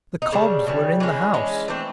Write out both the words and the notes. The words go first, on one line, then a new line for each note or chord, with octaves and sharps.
The cobs were in the house!
D#4
C#3 E3 G3 D4
C#3 E3 G3
E3 G#3 C#4 D4
E3 G#3 C#4
E3 A3 C4 D4